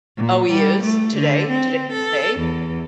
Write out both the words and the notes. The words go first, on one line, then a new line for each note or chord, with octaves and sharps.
Oh, he is? Today? Today today?
A#2
G3
A3
D3
C4
A4
E2